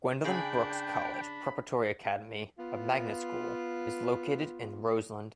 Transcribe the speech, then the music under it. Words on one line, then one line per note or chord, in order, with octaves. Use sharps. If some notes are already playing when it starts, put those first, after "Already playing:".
Gwendolyn Brooks College Preparatory Academy, a magnet school, is located in Roseland.
C#3 D4 G#4 G5 B5
B3 F4